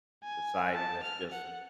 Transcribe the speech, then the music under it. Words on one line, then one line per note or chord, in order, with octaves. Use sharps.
society that's just
G#5
A5
F6
F#5